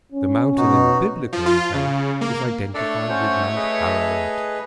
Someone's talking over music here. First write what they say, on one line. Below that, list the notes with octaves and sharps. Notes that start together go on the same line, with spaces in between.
The mountain in the Biblical account is identified with Mount Ararat.
C#4
B2 D#4 F#4
F3
F4
C#3
A#3
A3 D4 A4 C#5 D5
C#4 F#4 C5
G#4 B4 D#5